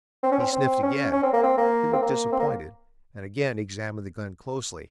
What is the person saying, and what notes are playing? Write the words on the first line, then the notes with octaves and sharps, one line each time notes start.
He sniffed again. He looked disappointed, and again examined the gun closely.
C4
C#4
C4
C4
C#4
C#4
C4
A#3
C4
A#3
C4
A#3
C4
A#3